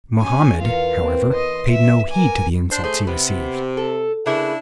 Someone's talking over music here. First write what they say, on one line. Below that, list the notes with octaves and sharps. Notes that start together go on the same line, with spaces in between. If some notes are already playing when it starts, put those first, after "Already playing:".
Mohammed, however, paid no heed to the insults he received.
C#4 G#5
E2 F4 A#4 F5 C#7
B3 C4
D#5 C6 D#7
E5
A#4 G#5 D6
D4 C5
A3 G#4 C5
C3 B3
A4
C#3 A#3 D4 E4 B4